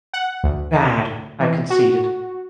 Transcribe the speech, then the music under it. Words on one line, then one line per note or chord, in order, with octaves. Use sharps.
"Bad," I conceded.
F#5
D2
E3
F#4